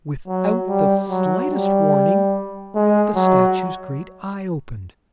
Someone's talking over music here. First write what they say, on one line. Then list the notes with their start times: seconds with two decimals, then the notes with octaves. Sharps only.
Without the slightest warning the statue's great eye opened!
0.28 F#3
0.68 G3
1.09 F#3
1.51 G3
2.75 G#3
3.16 F#3